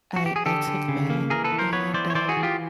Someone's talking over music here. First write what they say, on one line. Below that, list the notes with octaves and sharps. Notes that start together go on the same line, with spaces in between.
I I took that, and, um,
F#4
G4
G#4
D3 G4 A4
D3
C#3
A#3
E3 G#4 A#4
A4 B4
E3
A#4 C5
B3 B4 C#5
E3 C5 D5
C#5
E3 C5 D5
F#4 G#4
E3
F4 G4